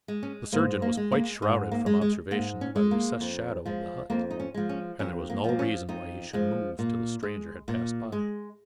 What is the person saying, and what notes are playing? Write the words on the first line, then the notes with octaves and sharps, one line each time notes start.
The surgeon was quite shrouded from observation by the recessed shadow of the hut, and there was no reason why he should move till the stranger had passed by.
G#3
C#4
G#2 A#3
A#3
G#3
A#3
G#2
A#3
G#3
G#3
G#2 A#3
C#4
G#3
A#3
F2
F3 G#3
F2 A#3
D#4
C#4
F3 G#3
C#4
F2 C#4
A#3
F3 G#3 A#3
C#4
F2 D#4
F3 G#3
A#2
G#3
A#2
G#3